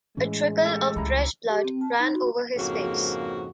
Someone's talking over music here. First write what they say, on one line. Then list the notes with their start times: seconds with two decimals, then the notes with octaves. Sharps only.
A trickle of fresh blood ran over his face.
0.17 A2 E3 G#3 C#4
0.65 G4 A4
0.96 C#2 E4 A#5
1.50 G4
1.64 C4
1.81 A5
2.00 D#4
2.14 F#4
2.57 F2 G#2 C#3 A#3 F#4